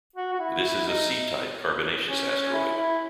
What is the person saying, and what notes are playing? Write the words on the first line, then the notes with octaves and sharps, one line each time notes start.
This is a C-type carbonaceous asteroid.
F#4
F#4
E4
E4
D#4
C#4
C#4
E4
E4